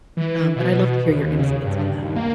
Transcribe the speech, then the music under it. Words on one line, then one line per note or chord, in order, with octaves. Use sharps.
um, but I'd love to hear your insights on that.
E3
B2
D#2
C#3
G2
D#2
A#3